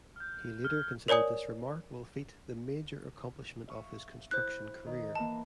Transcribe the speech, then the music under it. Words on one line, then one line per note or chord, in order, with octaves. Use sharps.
He later considered this remarkable feat the major accomplishment of his construction career.
F6 G6
F6 G#6
A#4 C#5 D5 G#5 D#6
E5 F5 C#6
E4 C5 F#6
D#3
E3 A#3 A5